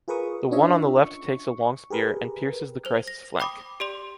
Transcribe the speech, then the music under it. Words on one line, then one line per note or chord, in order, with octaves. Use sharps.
The one on the left takes a long spear, and pierces the Christ’s flank.
F4 G#4 A#4 B4 C#6 D#6
C#4 D4 F4 C#5 D#5 E5
C#6
G4 G#4 A#4 B4
C5 F7
A#6
G5 B5 D6 D#6
G4 D5 C6